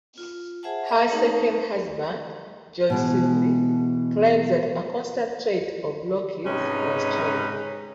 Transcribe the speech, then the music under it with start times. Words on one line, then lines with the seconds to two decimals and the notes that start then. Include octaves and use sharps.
Her second husband, George Sibley, claims that a constant trait of Block's was charity.
0.18 F4
0.63 G#4 C5 E5 F#5 G#5 A5
0.85 G#4 D5 E5
1.10 A3 C4 D#4 A#4
2.90 B2 E3 G#3
6.45 G#2 C3 G#3 C#4 D#4 B4